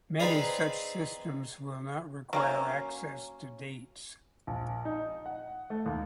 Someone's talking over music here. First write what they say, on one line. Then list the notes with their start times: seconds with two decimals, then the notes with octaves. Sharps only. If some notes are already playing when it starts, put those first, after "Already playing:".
Many such systems will not require access to dates.
0.20 C4 D#4 G#4 B4 D5 F5
2.33 F#3 A#3 C#4
4.47 A#1
4.85 D#4
5.26 F#5
5.70 A3
5.86 D#2